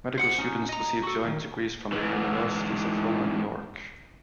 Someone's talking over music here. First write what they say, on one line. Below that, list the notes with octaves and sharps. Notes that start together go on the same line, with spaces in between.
Medical students receive joint degrees from the universities of Hull and York.
C5 F#5
C#4 D#4
D#5 A#5
F#4 A4
D#2 D#3
G#2 E3